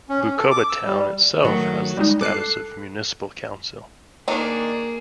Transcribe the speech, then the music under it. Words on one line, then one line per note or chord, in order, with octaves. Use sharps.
Bukoba Town itself has the status of a municipal Council.
C#4
C#4
A4
D6
E6
G3
D#3 F#3 A3
G3 G#3 D#4
A4 D6 F#6 C7
D#3 A#3 D4 G#4